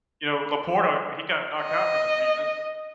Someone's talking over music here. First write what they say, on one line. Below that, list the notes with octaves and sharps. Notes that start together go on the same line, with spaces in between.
You know, LaPorta, he got knocked out for the season.
D#5